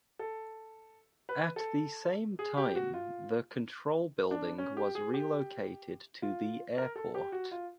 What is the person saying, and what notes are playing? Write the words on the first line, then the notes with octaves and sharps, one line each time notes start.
At the same time the control building was relocated to the airport.
A4
B4
A4
G#4
G4
F#4
F4
D4
C#4
G4
G#4
G4
F4
A#4
A4
G4
F#4
F4